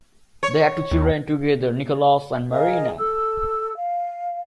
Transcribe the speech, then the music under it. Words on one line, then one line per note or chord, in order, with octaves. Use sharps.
They had two children together: Nicolas and Marina.
C#5
D#2
G#4 A#4 D#5 F5
A4 E6
F5